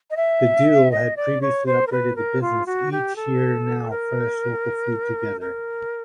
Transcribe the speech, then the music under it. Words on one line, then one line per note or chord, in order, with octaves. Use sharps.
The duo had previously operated the business Eat Here Now Fresh Local Food together.
D#5
E5
D#5
D5
C#5
C5
A#4
B4
A#4
F4
F#4
G4
A4
A#4
A#4